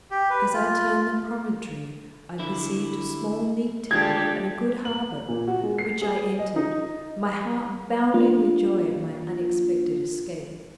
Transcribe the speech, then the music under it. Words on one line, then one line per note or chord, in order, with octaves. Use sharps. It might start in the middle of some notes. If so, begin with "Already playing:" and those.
As I turned the promontory I perceived a small neat town and a good harbour, which I entered, my heart bounding with joy at my unexpected escape.
G4
B4
F4
D3 E4
G#3 A3 D4 F4 G4 A4 G#6
F#7
A#2
F#4
G#3
C7
G#4
D#5
D#4
A#3 D4 F4